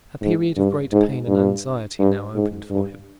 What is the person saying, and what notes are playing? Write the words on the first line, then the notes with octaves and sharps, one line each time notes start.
A period of great pain and anxiety now opened for him.
G#2
G2
G#2
G2
G2
G#2
G2